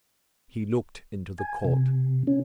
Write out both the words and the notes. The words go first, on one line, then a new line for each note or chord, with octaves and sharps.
He looked into the court.
G#5
C3
C#4